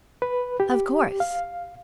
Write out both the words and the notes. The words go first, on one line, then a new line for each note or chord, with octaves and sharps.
'Of course!
B4
G4
F5